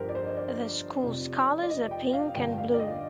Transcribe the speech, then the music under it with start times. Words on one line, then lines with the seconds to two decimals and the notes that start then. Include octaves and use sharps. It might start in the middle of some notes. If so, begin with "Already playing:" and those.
The schools colors are pink and blue.
Already playing: G1 G2 D3 F3 G4 A#4 C5
0.09 D5
0.15 C5
0.26 D#5
0.37 D5
1.03 F1 F2 C3
1.63 D5
1.70 D#5
1.91 G5
2.13 F5
2.35 G1 G2 D3 G5
2.58 F5
2.74 D5
2.80 D#5